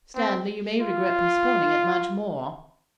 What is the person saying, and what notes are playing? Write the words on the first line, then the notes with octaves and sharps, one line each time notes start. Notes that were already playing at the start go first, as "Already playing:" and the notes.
'Stanley, you may regret postponing it, much more.'
C4
F4